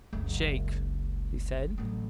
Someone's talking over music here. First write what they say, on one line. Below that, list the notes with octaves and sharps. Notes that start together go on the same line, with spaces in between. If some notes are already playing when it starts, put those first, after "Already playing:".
"Shake!" he said.
F#1 C#2
A1 F#3